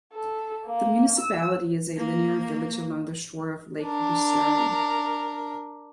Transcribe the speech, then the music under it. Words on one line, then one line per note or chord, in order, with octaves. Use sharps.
The municipality is a linear village along the shore of Lake Lucerne.
A4
A#3
E6
A#3
D4 A#4